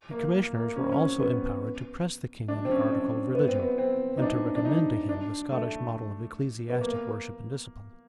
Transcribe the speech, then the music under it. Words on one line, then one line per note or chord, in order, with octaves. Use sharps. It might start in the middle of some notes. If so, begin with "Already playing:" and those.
The commissioners were also empowered to press the king on the article of religion, and to recommend to him the Scottish model of ecclesiastic worship and discipline.
A#3
A#3
A#3
C#4
C4
C#4
B3
D4
C4
C#4
D4
B3
C4
B3
C4
D#4
D4
D4
D#4
D4
A3
B3
A#3